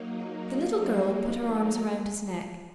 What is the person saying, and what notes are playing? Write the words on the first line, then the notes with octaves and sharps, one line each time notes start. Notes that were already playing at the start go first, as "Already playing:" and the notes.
The little girl put her arms around his neck.
Already playing: F#3 A#3 D#4
F4 G#4
F#4 A#4
G#4 C5